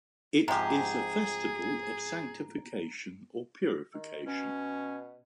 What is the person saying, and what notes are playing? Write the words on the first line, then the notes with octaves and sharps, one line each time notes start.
It is a festival of sanctification or purification.
G#2 C3 F3 G4 G#4 A#5
D#3
B2 C#4